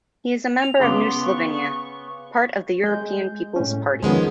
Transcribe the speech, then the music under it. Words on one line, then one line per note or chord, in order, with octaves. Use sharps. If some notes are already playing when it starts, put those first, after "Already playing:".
He is a member of New Slovenia, part of the European People's Party.
F7
C#3 B3 C6 D6
C#6
G#3 G6
A2 C#4
D#3 F3 G#3 B3 C#4